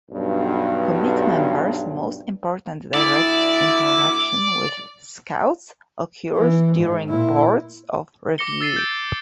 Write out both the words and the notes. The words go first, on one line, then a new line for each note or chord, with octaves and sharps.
Committee members most important direct interaction with Scouts occurs during boards of review.
B1 G2
D2 E4 D5
E3
G#2
A#2 E4
D6 A#6 C#7 G7
E6 A6 C7 D#7
G6 D7